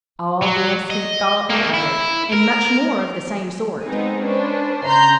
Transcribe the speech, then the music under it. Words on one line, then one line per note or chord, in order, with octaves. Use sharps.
All this he thought and uttered, and much more of the same sort.
F#3
D#5
A3 A#3
E4
A#4
G#3 B3 C4 D#4 G#4
C#4 D4 B4 C5
C#3 A#5 C6 G6